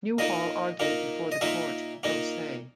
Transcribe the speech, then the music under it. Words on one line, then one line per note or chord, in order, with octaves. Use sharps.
Newhall argued before the court pro se.
A#2 A#3 D#4 D#5
A#2 A#3 D#4
D#5
A#2 A#3 D#4 E5
A#2 A#3 D#4